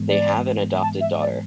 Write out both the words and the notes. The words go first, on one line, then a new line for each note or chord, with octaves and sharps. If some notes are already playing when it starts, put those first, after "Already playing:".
They have an adopted daughter.
Already playing: G#2 E3 G#3 B3
D5
A5
E5
D5